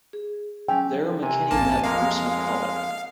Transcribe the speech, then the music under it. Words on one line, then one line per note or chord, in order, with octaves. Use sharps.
There, McKinney met Bruce McCulloch.
G#4
F#3 C#4 G5 G#5 E6
C3 G#5
A1 A#3 A5
F2 G#3 A#3 F5 A#5